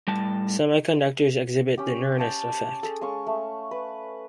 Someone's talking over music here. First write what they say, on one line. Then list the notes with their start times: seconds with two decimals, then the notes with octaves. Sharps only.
Semiconductors exhibit the Nernst effect.
0.08 A2 G3 A5
1.78 C#4 G4
2.18 G5 A5 D#6
2.83 G#4 A4
3.01 G#3 C#4 F5 C#6
3.27 A3
3.71 B4